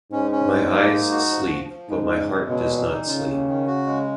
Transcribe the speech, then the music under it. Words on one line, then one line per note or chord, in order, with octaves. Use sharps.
My eyes sleep but my heart does not sleep.
G#2 C#4
C#4
F3
A#3
D#4
F#4
F3
F3
F3
G#2 G#3
C#3
G#3
B2 F#3
A#2
D#4
C#3 F4
D#2
D#3
F#4
G#3